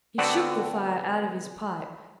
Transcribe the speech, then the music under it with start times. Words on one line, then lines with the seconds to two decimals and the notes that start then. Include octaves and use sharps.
He shook the fire out of his pipe.
0.18 D3 B3 C4 F#4 A4 D5